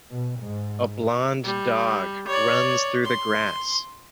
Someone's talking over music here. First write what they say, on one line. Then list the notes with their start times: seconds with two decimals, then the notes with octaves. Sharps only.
A blond dog runs through the grass.
0.12 B2
0.41 G#2
1.44 G3
2.28 C#5 D5
3.04 C6